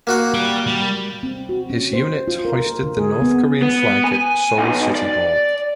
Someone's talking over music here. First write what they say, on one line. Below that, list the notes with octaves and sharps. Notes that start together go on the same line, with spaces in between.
His unit hoisted the North Korean flag at Seoul City Hall.
A#3 F#4 F#5
G4 D5
G3
C4
F#4
C#4
C5
F4
A#4
A#4
D3
G#4
B3
B3
G#5
B1
D5